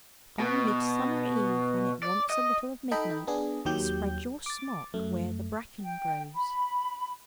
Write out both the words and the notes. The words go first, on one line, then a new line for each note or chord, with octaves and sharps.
'On Midsummer Eve, when it wants a little of midnight, spread your smock where the bracken grows.
B2
D5
D#5
D#4 A4 D#5 G5 B5
B3 D4 G#4
D#2 D#3 F#3 G4 G6
D6 A6
F#2 A3
G5
B5